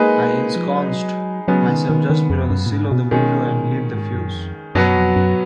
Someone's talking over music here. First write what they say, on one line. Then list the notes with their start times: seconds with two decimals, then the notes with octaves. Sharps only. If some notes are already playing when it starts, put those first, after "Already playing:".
I ensconced myself just below the sill of the window, and lit the fuse.
Already playing: G#3 A#3 D#4 G#4 B4
0.56 F3
0.66 F#3
1.48 C#3 F#3 G#3 B3
1.69 D#3
1.89 D#3
2.10 D#3
2.30 F2
2.50 F#2
2.66 A#2
2.71 G#2
2.91 B2
3.11 B2 D#3 G#3 C#4
3.85 A#2
3.94 G#2
4.14 F#2
4.35 F2
4.75 F#2 B2 F#3 B3 F#4 B4
4.96 F2
5.16 F#2